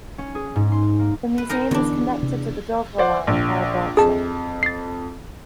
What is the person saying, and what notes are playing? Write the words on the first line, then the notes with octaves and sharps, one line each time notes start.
The museum is connected to the Dovre Line by a branch line.
C#4
G#4
G#2
C6
A#3
B4
D#4 G#4 A#4
E2 D3 B3 D4
C3
C5 D5 F#5
A#1
F2 G#4 A5
A6 C7